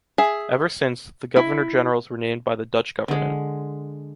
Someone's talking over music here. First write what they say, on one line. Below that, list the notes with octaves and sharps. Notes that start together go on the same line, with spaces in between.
Ever since, the Governor Generals were named by the Dutch government.
G#4 E5
E4
D3 G#3